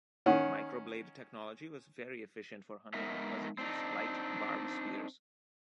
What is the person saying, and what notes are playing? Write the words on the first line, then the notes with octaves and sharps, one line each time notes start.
Microblade technology was very efficient for hunting because it used light, barbed spears.
D#3 C#4 F#5
G#3 B3 D#4 A#4 D#5 E5
C4 D4 D#4